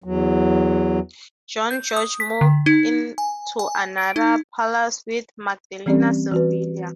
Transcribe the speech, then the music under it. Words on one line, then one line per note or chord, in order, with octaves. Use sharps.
John George moved into another palace with Magdalena Sybilla.
E2 F#3
G6
D#6
B6
D3
D#4
G#5
G#5
D7
D#4
E3 G3 C4 C#4 G4 D5
E3 F#4 B4